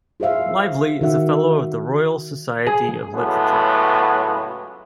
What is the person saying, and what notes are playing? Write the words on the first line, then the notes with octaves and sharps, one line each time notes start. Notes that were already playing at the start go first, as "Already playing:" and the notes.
Lively is a Fellow of the Royal Society of Literature.
F4 G#4 C5 E5 F5
D#3 F#4 E5 F#5
G#4
C#2 A2 F#3 B3